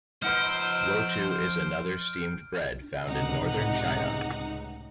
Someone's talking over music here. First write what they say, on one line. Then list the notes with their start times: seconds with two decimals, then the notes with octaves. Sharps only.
Wotou is another steamed bread found in northern China.
0.22 F3 D#4 B4 C5 F#5 F6 G6 D7
3.06 C#2 A2 C3 D#4 F#5